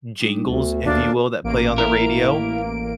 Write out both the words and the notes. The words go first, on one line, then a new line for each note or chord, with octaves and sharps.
jingles, if you will, that play on the radio,
G3 D4 D#4
D2 B3 A4
D#2 A#3 D4 F5 A5
A1 A#3 D7
E4 A#4